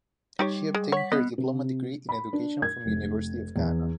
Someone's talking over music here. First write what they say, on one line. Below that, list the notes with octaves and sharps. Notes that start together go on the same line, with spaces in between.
She obtained her Diploma degree in Education from University of Ghana.
G3 D#4 G4 C#5
G#3
C#5 F#5 B6
B3 D#5
C3
B5
D4
G#6
F1
E2